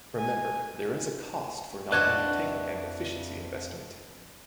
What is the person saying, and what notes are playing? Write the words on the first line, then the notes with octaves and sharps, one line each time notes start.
Remember there is a cost for not undertaking an efficiency investment.
G#5
F2 D4 F#4 B4 D#5 E5 F#6 G#6